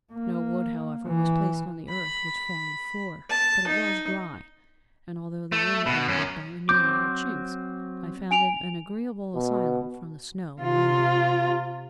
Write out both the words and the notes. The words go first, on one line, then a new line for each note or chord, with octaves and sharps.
No wood, however, was placed on the earth, which formed the floor, but it was dry; and although the wind entered it by innumerable chinks, I found it an agreeable asylum from the snow and rain.
A#3
E3
B5
A5
D#4
A3
B2
F#2 C#4
F#3 C4 D6 G6
G#5 D7 F7
B2
C3 F4